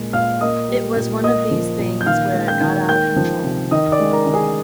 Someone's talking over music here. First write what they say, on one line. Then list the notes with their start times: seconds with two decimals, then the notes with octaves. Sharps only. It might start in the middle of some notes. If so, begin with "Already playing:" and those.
It was one of these things where it got out of control.
Already playing: A#2 G#3
0.13 A#2 F5 F6
0.41 A#3 D#5 D#6
0.69 G3
0.96 A#2
1.24 A#3 D#5 D#6
1.51 F3
1.79 A#2
2.01 G6
2.06 D#3 F5 F6
2.34 G#3
2.47 G5 G6
2.61 D#3
2.89 A#3 G5 G6
3.16 F3
3.44 C3
3.71 D#3 D#5 D#6
3.92 D5 D6
4.00 G#3
4.12 A#4 A#5
4.26 D#3
4.34 G#4 G#5